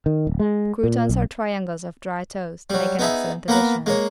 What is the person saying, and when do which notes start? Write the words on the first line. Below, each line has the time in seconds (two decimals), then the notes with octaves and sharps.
Croutons or triangles of dry toast make an excellent addition.
0.06 D#3
0.27 D1
0.40 G#3
0.84 A#2
1.09 B1
2.70 F#3 G3
2.99 B3 D#4 G#4 E5
3.48 A#3 B3 A#4 B4
3.86 G#3 A#3 C#5